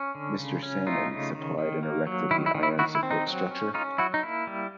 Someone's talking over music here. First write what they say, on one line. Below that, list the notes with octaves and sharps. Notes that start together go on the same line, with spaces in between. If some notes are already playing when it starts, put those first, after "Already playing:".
Mr Salmon, supplied and erected the iron support structure.
Already playing: C#4
D3
C#3
C#4
A3 D#4 F4
C#3
D#3
D#3
A#3
F#3
D#3 E4
E4
D#3
E4
D#3 E4 F#4
E4
C4
D#4
F#3
C#4
C#4 D#4 F4
F#3 E4 F#4
D#4
A#3 E4
G3